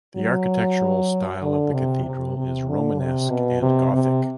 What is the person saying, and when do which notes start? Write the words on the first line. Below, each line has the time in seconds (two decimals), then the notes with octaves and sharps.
The architectural style of the cathedral is Romanesque and Gothic.
0.17 F#3
1.42 D3
1.73 C3
2.05 C3
2.36 C3
2.68 D3
2.99 C3
3.31 B2
3.62 C3
3.93 C3